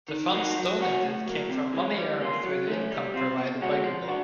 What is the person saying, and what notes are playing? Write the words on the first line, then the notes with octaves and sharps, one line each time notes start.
The funds donated came from money earned through the income provided by Google.
D#3
F#3 A#3 D#4 F#4
F#3
A#3 C#4 F#4
A2
F#3 A#3
C3
E3 G#3 C#4
G3
A#3 C#4 F4
F#3
A3 C#4
G3
C4 F4
B2
G#3 C#4 F#4
F3
D4 F#4